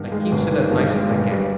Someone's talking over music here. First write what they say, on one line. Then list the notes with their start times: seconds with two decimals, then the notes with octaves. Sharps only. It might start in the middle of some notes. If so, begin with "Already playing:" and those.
I keeps it as nice as I can.
Already playing: G2 D#3
0.12 G#3
0.32 G1
0.52 D#3
0.72 G2
0.91 G#3
1.10 G1
1.31 G3